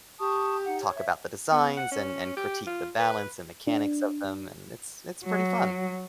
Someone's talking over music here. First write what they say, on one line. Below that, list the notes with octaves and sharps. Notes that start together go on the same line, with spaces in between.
talk about the designs, and and critique the balance and mechanics of them, and it's it's pretty fun.
G4 A5 C#6 D#6
D#4 F#5
C#5
E5
B3
F#5
C#4
G4
F4
B4
D4
F#3